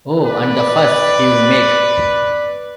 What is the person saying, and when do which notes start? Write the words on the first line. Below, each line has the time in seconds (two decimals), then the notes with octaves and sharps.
Oh, and the fuss he’ll make!
0.24 B4 D5